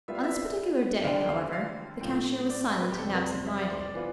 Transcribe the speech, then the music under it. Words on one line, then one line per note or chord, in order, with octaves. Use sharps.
On this particular day, however, the cashier was silent and absent-minded.
G3 B3 F4 E5
F5
E5
D3 G3 D4 G4 C5 F5
G5
F5
F5
A2 F3 C4
D5
C5
B4
G4
F2 C3 G3 C4 A4
C5
B4
C5
E5
D5
C5
D5
E3 B3 F4